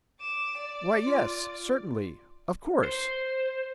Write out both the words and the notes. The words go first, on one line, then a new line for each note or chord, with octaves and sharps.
Why yes, certainly, of course!
D6 E7
D5
F4
C5